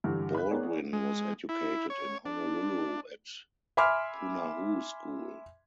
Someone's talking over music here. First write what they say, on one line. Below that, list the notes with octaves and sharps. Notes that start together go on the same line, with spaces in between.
Baldwin was educated in Honolulu at Punahou School.
G2 D3 E3
B5 F#6
B3 G#4 A#4 C#5 D5
G#3
E4
C#5
D4
E5 G#5 B5 C6 D6 F6